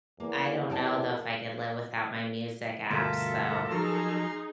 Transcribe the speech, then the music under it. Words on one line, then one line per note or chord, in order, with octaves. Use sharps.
I don't know, though, if I could live without my music apps, though,
E2 A#3
A#4 G5 A5
D2 G2 B2 F4 A4 A#4 E5
F3 F#3 D#4 G#4 A#5 C6 F6